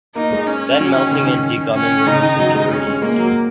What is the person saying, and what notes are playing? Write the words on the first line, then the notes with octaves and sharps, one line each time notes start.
Then melting and degumming removes impurities.
A#3 D#4
G#3
C#4
F#3
D#3
C#3
D#3
C#4
C#3 D#4
D#3
F#3
G#3
G#3 C#4
G#3
G#3 A#3
F#3